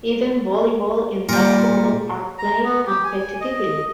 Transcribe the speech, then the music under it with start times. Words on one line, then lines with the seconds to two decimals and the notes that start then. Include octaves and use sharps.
Even volleyball and basketball are played competitively.
1.29 A#2 G3 A#4
2.39 A#5
2.64 B3
2.87 G4
3.04 G#5
3.41 D#5